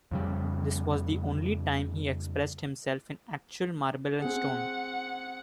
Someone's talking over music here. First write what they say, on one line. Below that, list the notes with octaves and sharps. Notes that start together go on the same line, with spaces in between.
This was the only time he expressed himself in actual marble and stone.
F2 C#3 G3
C4 G#4 F#5